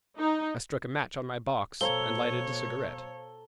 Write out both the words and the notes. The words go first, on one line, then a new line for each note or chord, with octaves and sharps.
I struck a match on my box and lighted a cigarette.
D#4
B2 A4 C5 C#5 F5 A#5 G7